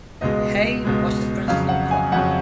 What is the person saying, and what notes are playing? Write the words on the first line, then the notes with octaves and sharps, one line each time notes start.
Hay was the principal crop.
C#2 B2 G#3 D#5
C#2 B2 G#3
F2 C#3 F#3 F5
F#5
G#5
F2 C#3 F#3 F#5